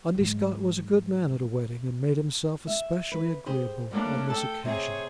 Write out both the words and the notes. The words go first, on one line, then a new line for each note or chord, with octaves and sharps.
Undy Scott was a good man at a wedding, and made himself specially agreeable on this occasion.
G#2 F#3
E5
B4
G4 G#4 C5
G3 A3 A#3 C#4 D4
A4 G5 A5
C3 G#4 C5 C#5